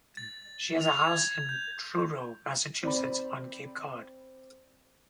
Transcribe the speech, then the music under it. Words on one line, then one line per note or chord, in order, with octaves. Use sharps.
She has a house in Truro, Massachusetts on Cape Cod.
A6
F7
G#6
G6
C4 D5 B5